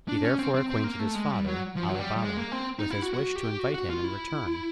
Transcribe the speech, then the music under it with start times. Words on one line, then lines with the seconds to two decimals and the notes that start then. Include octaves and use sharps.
He therefore acquainted his father, Ali Baba, with his wish to invite him in return.
0.08 D4
0.24 C#4
0.39 C4
0.55 C4
0.70 C4
0.84 A#3
0.99 A3
1.15 G#3
1.31 G3
1.46 F#3
1.76 F3
1.89 F#3
1.99 G3
2.16 G3
2.22 G#3
2.37 A#3
2.52 C4
2.79 D#4
2.90 E4
3.02 F#4
3.14 F#4
3.36 G4
3.59 F#4
3.74 F#4
3.90 F4
4.04 E4